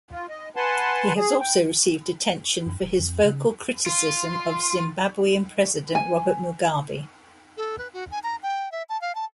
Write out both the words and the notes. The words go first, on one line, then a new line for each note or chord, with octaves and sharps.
He has also received attention for his vocal criticism of Zimbabwean president Robert Mugabe.
F4
D#5
B4 F#5 G#5 A5 C6
G#4
G5
F#2
F1
F2
C#3
F4
G#5
A4
B4
F#4
G#5
A#5
G5
E5
A5
F5
A5